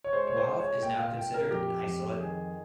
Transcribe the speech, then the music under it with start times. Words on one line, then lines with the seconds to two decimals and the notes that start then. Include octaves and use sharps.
Huave is now considered an isolate.
0.04 C#5
0.13 G#3 C5
0.27 C#5
0.37 C5
0.49 G#3
0.59 C#5
0.83 A#2 G5
0.99 F5
1.17 A#2 G5
1.34 A#4
1.51 F2 G4
1.86 F2
2.20 D#3 G#4